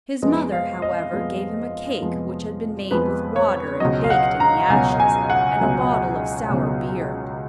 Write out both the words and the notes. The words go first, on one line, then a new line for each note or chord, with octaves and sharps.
His mother, however, gave him a cake which had been made with water and baked in the ashes, and a bottle of sour beer.
F2 F3 G#3 B3 D#5
F5
D#5
F2 F3 G#3 B3
F2 F3 G#3 B3
F2 F3 G#3 B3 B4
C#5
C#2 B2 F#3 D#5
F5
F#5
A#5
C#2 B2 F#3 G#5
G#5
F#5
C#2 B2 F#3
C#2 B2 F#3